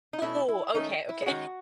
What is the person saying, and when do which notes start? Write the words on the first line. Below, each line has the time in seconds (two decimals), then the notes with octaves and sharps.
Oh, okay, okay.
0.13 D#4
0.22 B2 A3 C#4 E4
0.48 E4
0.74 D#3 A3 C#4 D#4
1.09 E4
1.22 G#4
1.26 D#3 G#3 C#4 F#4